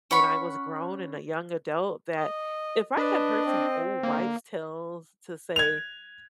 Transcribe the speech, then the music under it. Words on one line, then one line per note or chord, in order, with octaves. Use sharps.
when I was grown, and a young adult, that if I had heard some old wives' tales to say,
C#4 F#5 B5 C#6
D#5
D4 B4 D#5
C4
D3 A#3
G#6 F7